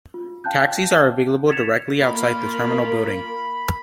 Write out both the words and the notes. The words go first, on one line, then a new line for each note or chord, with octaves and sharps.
Taxis are available directly outside the terminal building.
F4
F5 G5 A5 F#6 G6
G#6 A6 B6 C#7 E7 F7
A#3 F4 A#4 B5